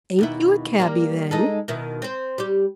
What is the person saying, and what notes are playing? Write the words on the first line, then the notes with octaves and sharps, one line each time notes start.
"Ain't you a cabby, then?"
D#2 B2 E4
G3 A#3
G#3 D#4 A4
B2 D#3 E4
C4 C5
G3 G4